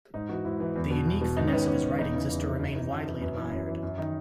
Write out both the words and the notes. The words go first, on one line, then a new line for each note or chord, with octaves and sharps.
The unique finesse of his writings is to remain widely admired.
G#2 D#4
E3 F#4
G#2 E4
E3
E2
B2
E2
B2
G#2 D#4
C#4
D#3 B3
G#2 C#4
D#3
E2 D#4
C#3 E3
E2
C#3 E3
F#2
E3
F#2 C#4
E3
F#2 B3
E3
F#2
E3
F#2
D#3 D#4